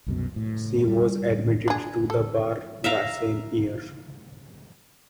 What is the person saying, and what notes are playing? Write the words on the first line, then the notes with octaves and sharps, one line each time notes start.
She was admitted to the bar the same year.
C2 F#2 B2
A2
G3
D4 G#4
A4
E5 F5 A#5